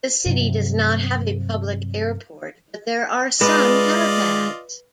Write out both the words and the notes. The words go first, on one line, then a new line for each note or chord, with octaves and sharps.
The city does not have a public airport, but there are some helipads.
G2 C3 F#3
G#3 F4 B4 D5 D#5